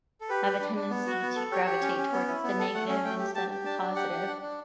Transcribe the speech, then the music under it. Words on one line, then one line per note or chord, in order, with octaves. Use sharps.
have a tendency to gravitate towards the negative, instead of the positive,
A4
G4 B4
G4
D4
D4
B3
F#4
B3
A4
G4 C#5
G4
C#4
C#4
B3
E4
B3
A4
A3 F#5
C#4
A3 G5
G4
G4 A5
G4
D4 A5
D4
G4 F#5
G4
D4
D4